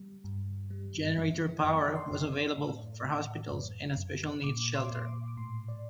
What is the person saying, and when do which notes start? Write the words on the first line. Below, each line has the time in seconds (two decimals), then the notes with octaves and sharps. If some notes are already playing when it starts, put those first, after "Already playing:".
Generator power was available for hospitals and a special needs shelter.
Already playing: G3
0.24 G2
0.70 G3
1.18 F#2
1.64 F#2 D6
1.95 C6
2.11 F#2
2.57 A2
3.04 A2
3.51 F#2
3.97 F#2
4.43 A#2 D6
4.75 C6
4.85 D6
4.90 A#2 C6
5.06 D6
5.28 D6
5.37 A2 C6
5.68 D5